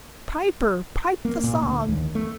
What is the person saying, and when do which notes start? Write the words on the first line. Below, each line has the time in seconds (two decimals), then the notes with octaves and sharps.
Piper, pipe the song!
1.25 A#3
1.44 A#2
1.62 D2
1.88 D#2
2.15 A3